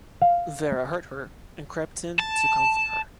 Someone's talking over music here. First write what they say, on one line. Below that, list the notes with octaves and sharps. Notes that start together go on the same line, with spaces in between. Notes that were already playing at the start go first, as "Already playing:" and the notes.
Vera heard her and crept in to comfort her.
F5
A5